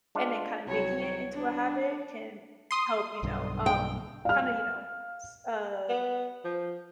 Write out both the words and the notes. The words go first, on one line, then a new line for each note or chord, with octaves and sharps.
and then kinda making it into a habit can help, you know, um, kinda, you know, s uh,
G#3 D4 F4
C2 F#3 C#5
D4
C6 D#6
B1 G2 D3
G5
F5 F6
B3
F3